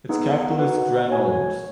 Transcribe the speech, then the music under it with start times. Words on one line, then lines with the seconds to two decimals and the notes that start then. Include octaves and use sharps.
Its capital is Granollers.
0.09 B3 D#4 G#4 B4 F#5
0.59 D#4 F#4 B4 F#5
1.08 F#4 C#5 G#5